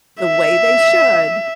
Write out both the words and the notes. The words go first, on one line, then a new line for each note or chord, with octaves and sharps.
"the way they should,
E5